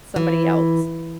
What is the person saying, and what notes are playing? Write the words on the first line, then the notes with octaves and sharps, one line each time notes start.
somebody else
E3